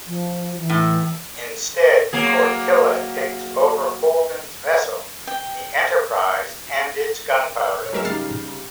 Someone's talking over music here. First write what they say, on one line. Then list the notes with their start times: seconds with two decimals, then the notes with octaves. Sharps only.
Instead, Cortilla takes over Holden's vessel, the "Enterprise", and its gunpowder.
0.07 F3
0.57 E3
0.70 A2
2.13 F#3 A#3 G#4
5.27 G5
7.81 A4 C#5
7.93 G#2 F#3 G#3 G#4 A#4 E5
8.05 C#3 G3 D#4 F6 A6 C7